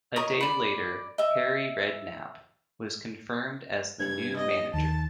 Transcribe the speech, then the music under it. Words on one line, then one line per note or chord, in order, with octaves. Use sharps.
A day later, Harry Redknapp was confirmed as the new manager.
A#4 C#5 D#5 D#6
D5 B5
D#5 E5
G2 G#6
D#5
D#2 D#3 A5